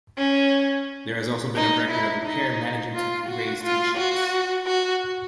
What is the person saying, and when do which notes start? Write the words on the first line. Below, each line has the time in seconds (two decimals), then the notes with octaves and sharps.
There has also been a record of a pair managing to raise two chicks.
0.18 C#4
1.56 D#4
1.91 E4
2.25 D#4
2.95 F4
3.29 F#4
3.64 F4
3.98 F#4
4.67 F#4